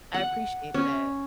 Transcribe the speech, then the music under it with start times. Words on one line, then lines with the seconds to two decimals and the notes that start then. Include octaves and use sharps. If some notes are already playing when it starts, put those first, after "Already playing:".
I appreciate that.
0.14 F#5
0.74 C#4